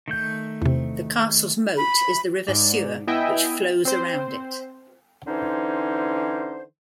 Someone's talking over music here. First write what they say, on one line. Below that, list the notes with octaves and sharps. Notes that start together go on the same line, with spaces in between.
The castle's moat is the River Suir which flows around it.
D#3 A3 G6
E2 C3
B5
G#2 D5
B3 E4 D#5 E5 G5 G#5
C4 C5
D3 E3 C#4 D#4 C5